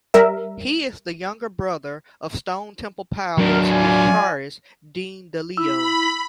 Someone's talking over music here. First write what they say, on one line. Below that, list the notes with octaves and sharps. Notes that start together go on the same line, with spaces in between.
He is the younger brother of Stone Temple Pilots guitarist Dean DeLeo.
G3 A#4 E5
F#3 B3 D4 A#4
F4 D5 G#5
E4 B5 E6